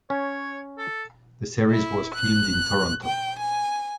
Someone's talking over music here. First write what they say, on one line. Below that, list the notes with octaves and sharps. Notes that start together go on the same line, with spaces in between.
The series was filmed in Toronto.
C#4 C#5
A4
E4
F#6
G5
G#5